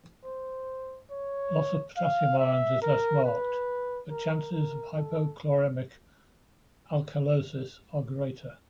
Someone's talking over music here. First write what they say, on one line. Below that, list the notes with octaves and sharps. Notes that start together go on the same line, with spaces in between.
Loss of potassium ions is less marked but chances of hypochloremic alkalosis are greater.
C5
C#5
F5
E5
A#4
B4
A#4
A#4
A4